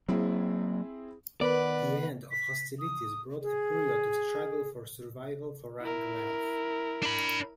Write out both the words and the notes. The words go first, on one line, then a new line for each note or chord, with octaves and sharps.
The end of hostilities brought a period of struggle for survival for Ranelagh.
F#3 A#3 C4 E4 G#4
D#3 B3 B4 D5
B6
D#6
G#4
E4 A#4
D4 B5